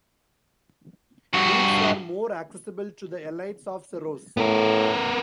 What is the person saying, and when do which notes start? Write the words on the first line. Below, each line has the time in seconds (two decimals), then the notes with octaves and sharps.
Meats were more accessible to the elites of Cerros.
1.34 G2 F#4
4.37 A2 B3 A#4